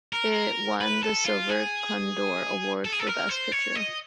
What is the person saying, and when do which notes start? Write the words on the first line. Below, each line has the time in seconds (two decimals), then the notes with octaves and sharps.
It won the Silver Condor Award for Best Picture.
0.13 A#4
0.81 B4
1.03 A4
1.26 F4
1.49 G#4
2.85 A4
2.92 G#4
2.99 A4
3.07 A#4
3.29 C5
3.52 C#5
3.75 D#5